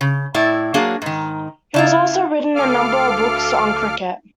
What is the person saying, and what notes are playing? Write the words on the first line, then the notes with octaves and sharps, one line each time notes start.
He has also written a number of books on cricket.
C#3
A2 E4 D5
F#3 A#3 D4 G#4
G#2 D#3
C#3 E4 F4
D2 A4 F5 D6 F6